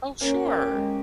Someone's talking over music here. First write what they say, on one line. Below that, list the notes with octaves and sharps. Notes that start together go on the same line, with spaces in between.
Oh, sure.
A#3 C#4
G4
G#3